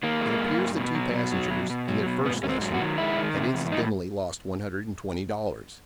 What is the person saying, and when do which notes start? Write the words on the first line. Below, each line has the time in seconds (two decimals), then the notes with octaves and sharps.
It appears the two passengers, in their first lesson, had incidentally lost one hundred and twenty dollars.
0.03 D#3 A#3
0.21 G#3
0.40 G2
0.58 G2
0.77 B2
0.95 F#3
1.14 B2
1.32 F#3
1.50 B2
1.70 B2
1.88 F#3
2.06 B2
2.25 G#2 B3
2.43 G#2 C#4
2.49 C4
2.62 F#3
2.74 F#4
2.81 D#3
2.98 G#3 E4
3.18 D#3
3.36 C3
3.54 E2
3.72 A2 D#4